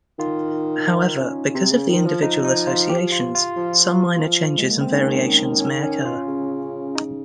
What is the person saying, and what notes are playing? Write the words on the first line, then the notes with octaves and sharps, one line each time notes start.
However, because of the individual associations, some minor changes and variations may occur.
D#3 F4
D#4
C#4
C3
C#3
D#3
F3
F3 D#4
D#4
F4
G4
F4
F4
F3
G#3
A#3
C4
D#3 C#4
C#4
C#4
F4
C#3
D#4